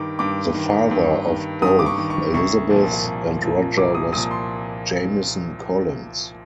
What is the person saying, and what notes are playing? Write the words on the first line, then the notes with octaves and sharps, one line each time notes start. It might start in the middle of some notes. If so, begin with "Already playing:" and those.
The father of both Elizabeth and Roger was Jamison Collins.
Already playing: G2 D#3 D6
G2 D6
D#3
G2
D#3
G2 D#6
D6
C#6
D#3
C#6
C2 C#6
A#2 F3
C2
A#2 F3
C2 D6
D#6
A#2 F3 D#6
C6